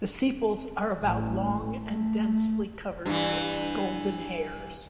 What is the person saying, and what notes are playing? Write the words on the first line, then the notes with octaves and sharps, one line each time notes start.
The sepals are about long and densely covered with golden hairs.
A1
A3
G2 E3